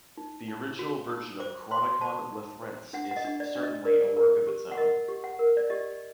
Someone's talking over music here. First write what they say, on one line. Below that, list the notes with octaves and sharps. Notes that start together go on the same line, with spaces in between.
The original version of "Chronicon Lethrense" is certainly a work of its own.
D#4
D#4
F#4
D#4 D#6
C5 D6
C5 C6
C5 A5
D#4
C5
D4 F#5
F#5
D#5
D4
D5
D4
D#5
A#4 D5
A#4
G4
F#5
A#4 D#5
G4
F#5
A#4
D5
G4 D#5